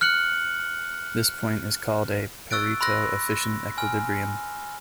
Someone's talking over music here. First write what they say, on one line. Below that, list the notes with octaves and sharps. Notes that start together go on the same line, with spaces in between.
This point is called a Pareto efficient equilibrium.
F6 F#6 C#7 F#7
C#6 E6 F#6 A6 D7
B5 C6 E6 F#6 A#6
G#5 F6